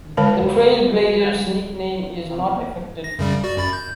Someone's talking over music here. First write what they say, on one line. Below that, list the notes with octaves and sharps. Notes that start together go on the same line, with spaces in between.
The Trailblazers nickname is not affected.
D3 G#3 A#4 C#5 F5 A5
A#6
F#2 C#3 G3
F#4 D5
F#2 B5 A6
G6